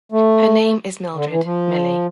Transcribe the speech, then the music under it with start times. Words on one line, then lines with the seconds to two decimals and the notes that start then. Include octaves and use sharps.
Her name is Mildred "Millie".
0.12 A3
1.15 D3
1.30 E3
1.45 F3